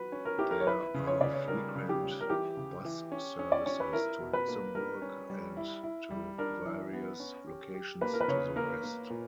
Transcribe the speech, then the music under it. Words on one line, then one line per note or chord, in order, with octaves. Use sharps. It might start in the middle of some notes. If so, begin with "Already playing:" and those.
There are frequent bus services to Luxembourg and to various locations to the west.
Already playing: F#3 B4
C#4
A#4
E4 G4
A#4
C#5
E4 B4
C#3
C#5
C#3 D5
C#5
G3 A#4
C#3
G4
G3
A#4
E3 G4
C#3
E3
C#4
C#4
D5
C#4 C#5
B4
E4 A#4
B2
B4
A#3
G3 A#4
C#4
G3
E4
E4
G3
D4 A#4
E3
B3
C#4
G4
G4
A#3 B4
A#4
B4
C#3 C#5
A#3 A#4
A#3
A#2